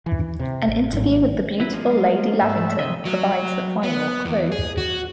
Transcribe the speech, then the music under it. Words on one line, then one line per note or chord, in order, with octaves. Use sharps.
An interview with the beautiful Lady Lavington provides the final clue.
E3
C3
A1
G#1 G#2 F#3
F#3 E4 B4
F3 G#3 A#3
G#2 A3 E5
C3 D#5 E5
F#3
B3
E2
G#4
F#4